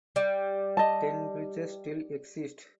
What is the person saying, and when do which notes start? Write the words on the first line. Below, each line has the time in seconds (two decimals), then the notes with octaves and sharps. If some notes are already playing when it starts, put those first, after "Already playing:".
Ten bridges still exist.
0.16 G3
0.77 D#5 A5